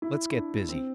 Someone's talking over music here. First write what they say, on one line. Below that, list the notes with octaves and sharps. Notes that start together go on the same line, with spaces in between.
Let's get busy.
E4
D4
C4